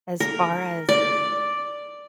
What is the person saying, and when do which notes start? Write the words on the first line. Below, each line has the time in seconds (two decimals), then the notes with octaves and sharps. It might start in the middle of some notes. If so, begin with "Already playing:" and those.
as far as
0.20 A#4
0.89 D5